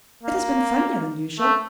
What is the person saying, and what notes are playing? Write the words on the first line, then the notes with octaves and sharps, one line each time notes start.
It has been funnier than usual.
A#3
A3